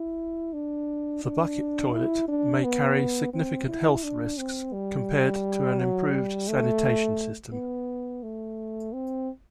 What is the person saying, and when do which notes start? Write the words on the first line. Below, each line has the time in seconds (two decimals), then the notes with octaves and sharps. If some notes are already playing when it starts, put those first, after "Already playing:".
The bucket toilet may carry significant health risks compared to an improved sanitation system.
Already playing: E4
0.53 D4
1.24 D4
1.93 E4
2.28 D4
2.64 B3
3.33 C4
3.68 E4
4.03 D4
4.38 C4
4.73 G3
5.78 F#3
6.13 G3
6.48 A3
7.53 B3
8.23 A3
8.93 C4